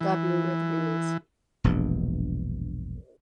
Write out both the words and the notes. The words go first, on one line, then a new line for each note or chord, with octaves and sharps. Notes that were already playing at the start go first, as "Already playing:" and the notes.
Dublin were the winners.
E3
E1 A#1 G2